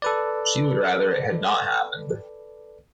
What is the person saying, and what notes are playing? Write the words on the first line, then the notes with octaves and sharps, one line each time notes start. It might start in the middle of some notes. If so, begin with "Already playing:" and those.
She would rather it had not happened.
A4 B4 D5